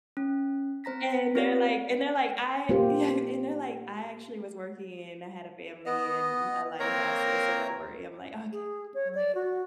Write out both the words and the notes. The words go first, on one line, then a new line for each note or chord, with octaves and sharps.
and they're like and they're like, "I" yeah, and they're like, "I actually was working, and I had a family, and a life also, so don't worry." I'm like, "Okay, cool." I'm like, "Okay."
C#4
C4 C5 A#5 A#6 B6
C4 F4 G4 C#5 D5
A#3 F4 G4 C5
B3 D#5
A#3 C4 A#4 C#5 A#5
G#4
C#5
D5
F#4